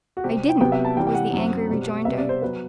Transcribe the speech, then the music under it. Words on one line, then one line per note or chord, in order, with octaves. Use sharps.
"I didn't," was the angry rejoinder.
F#4
C3 G3 C4 G4
G5
C3 F#3 B3 G5
E5
A5
C3 E3 G3 G5
G5
F#5
F#2 F#3 C4
B2 G3 C4
C3 G3 B3 E5
D5
C5
F#3 B3 B4